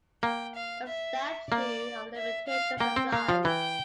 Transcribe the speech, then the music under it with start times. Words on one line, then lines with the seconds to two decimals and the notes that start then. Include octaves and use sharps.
A statute of limitations applies.
0.23 A#3 G5
0.55 F5
0.87 E5
1.51 A#3 D5
2.16 E5
2.48 F5
2.80 A#3 G5
2.96 C4
3.12 A#3 F5
3.29 F3
3.45 E3 G5